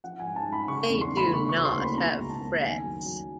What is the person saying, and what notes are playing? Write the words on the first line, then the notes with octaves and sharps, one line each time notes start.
They do not have frets.
F3 F#5
G#5
G#2
A5
G#2
B5
C#3 C#6
E2 C#6
C6
A3
B5
C#3 C#6
C#6
D2
C6
A#3
B5
B2 A#5
C#2
A5
A#3
D#3 G#5
F#2
F#2